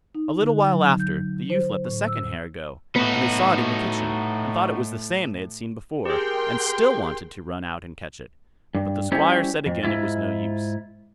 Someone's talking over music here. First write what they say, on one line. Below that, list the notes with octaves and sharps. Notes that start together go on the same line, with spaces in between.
A little while after, the youth let the second hare go, and they saw it in the kitchen, and thought it was the same they had seen before, and still wanted to run out and catch it; but the Squire said again it was no use.
D#4
D3
F#3
G6
C5
A2
E6
A2 B3 D#4 F#4
G4 G#4 A#4 G5 C6
G2
G3 C#4 E4 G4 C5 C#5
F2
G#2 B2 E4 F4